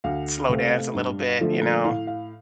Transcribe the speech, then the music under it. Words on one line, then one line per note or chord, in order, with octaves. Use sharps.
slow dance a little bit, you know,
D2 F5
C3 A3 C4
G2
D3 F3 A3
A2 F5
F5